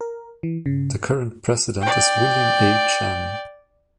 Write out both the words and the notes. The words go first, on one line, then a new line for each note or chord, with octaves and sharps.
The current President is William A. Chen.
A#4
E3
C#3
D5 G5